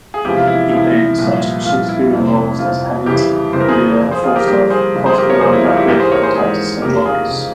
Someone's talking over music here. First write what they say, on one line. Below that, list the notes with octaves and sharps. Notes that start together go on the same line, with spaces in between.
He played such Shakespearean roles as Hamlet, Lear, Falstaff, Prospero, Macbeth and Titus Andronicus.
G#4
E1 E2 C3 F3 E4 G4
F4
E4
E1 E2 C3 F3 E4
C2 A#2 F3
C2 A#2 F3 F4
E4
G1 F2 C3
G1 F2 C3 F4
G1 F2 C#3 E3 E4 G4
G1 F2 C#3 E3 C5
A#4
G#4 C5
G1 G2 F3
G#4 C5
F4 G#4
G4 A#4
G1 G2 F3 G4 A#4
G#4 C5
G1 F2 C#3 F3
G#4 C5
G4 A#4
A#4 C#5
G1 F2 C#3 F3 G#4 C5
E4
F4
E4 G4
G#1 G#2 E3 G4 A#4
G#4 C5
A#4 C#5
G#4 C5
G#1 G#2 E3 G#4 C5
F1 F2 C#3 G4 A#4
F4 G#4
C#3